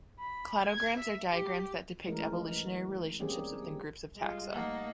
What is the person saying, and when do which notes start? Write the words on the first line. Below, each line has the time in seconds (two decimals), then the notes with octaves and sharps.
Cladograms are diagrams that depict evolutionary relationships within groups of taxa.
0.19 B5
0.66 G#6
0.98 E5
1.31 G4
2.08 E3 G#3 A3 C#4 A#4
3.19 G3 A#3 C4 C#4 G4 G#4
4.16 G3 G#3 F4
4.51 A3 A#3 D#4 F#5